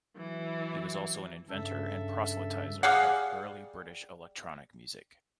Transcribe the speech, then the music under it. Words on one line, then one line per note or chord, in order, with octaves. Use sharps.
He was also an inventor and proselytiser of early British electronic music.
E3 F#3
G2 C#3 A4 E5
G3 G#4 F5 F#5